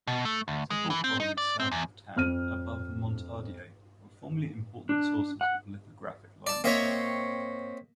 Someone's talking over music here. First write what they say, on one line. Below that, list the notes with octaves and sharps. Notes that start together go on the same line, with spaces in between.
Several quarries south of town above Montdardier were formerly important sources of lithographic limestone.
B2
A3
D2
G#3
E3
C4
D#4
D5
C4
E2
F2 F6 D#7
D4
F#5
D5 A5
A#3 C4 C#5 D#5 E5